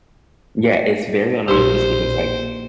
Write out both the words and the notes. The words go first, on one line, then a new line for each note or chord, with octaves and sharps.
Yeah, it's very unrealistic. It's, like,
A#1 D#4 G4 C5